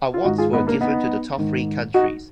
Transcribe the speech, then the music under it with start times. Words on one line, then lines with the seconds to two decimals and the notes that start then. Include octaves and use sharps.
Awards were given to the top three countries.
0.14 F4
0.24 G#2 D#3 D#4 F#4
0.38 F4 G#4
0.53 B3 D#4
0.67 A#3 D4
0.81 B3 D#4
1.38 G#2 D#3
1.94 D#4 F#4